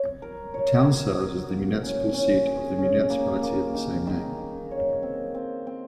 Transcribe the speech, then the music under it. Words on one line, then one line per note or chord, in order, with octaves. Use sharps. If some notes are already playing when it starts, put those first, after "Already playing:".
The town serves as the municipal seat of the municipality of the same name.
Already playing: C#5
A#4
C#5
F#4
F#4
A#3
C#4
C#4
G#4
C#4
A#3
A#3
D#3
D#3
D#3
C#5
C4
C4
C4